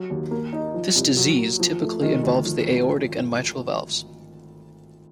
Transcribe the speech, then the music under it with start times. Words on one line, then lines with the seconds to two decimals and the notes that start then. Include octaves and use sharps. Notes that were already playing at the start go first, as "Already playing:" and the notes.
This disease typically involves the aortic and mitral valves.
Already playing: F#3
0.10 D#2
0.31 A#3
0.53 D#4
0.74 F3
0.95 C2
1.17 F#3
1.39 A#3
1.60 F3
1.81 A3
2.02 D#3
2.23 D2
2.45 F3
2.66 G#1